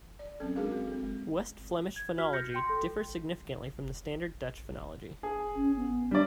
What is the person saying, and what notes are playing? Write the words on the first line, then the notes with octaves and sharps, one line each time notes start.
West Flemish phonology differs significantly from the standard Dutch phonology.
D5
F#3 C4 C#4 A4
G#3 D4 F#4 G#4 A#4 F5
C4 F#4
C4 A4
G#3
G#6
F#4 F6 B6
G6 A#6 C#7
G5 C6
A4
G#4
C#4
B3
G3 D4 D5